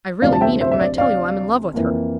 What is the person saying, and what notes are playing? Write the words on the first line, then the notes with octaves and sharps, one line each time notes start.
"I really mean it when I tell you I'm in love with her."
D2 C3 F3 D5 F5
A5
E5 G5
C5 E5
E5
D5
D5 F5
F2 E3 A#3